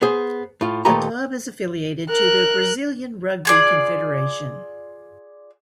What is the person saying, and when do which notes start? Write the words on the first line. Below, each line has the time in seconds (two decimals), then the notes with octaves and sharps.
The Club is affiliated to the Brazilian Rugby Confederation.
0.02 B3 G#4 C5
0.61 A2 F4
0.85 D#2 A#2 A3 G4 B4 A#5
2.09 A#4 F#6
3.45 F4 G#4 D5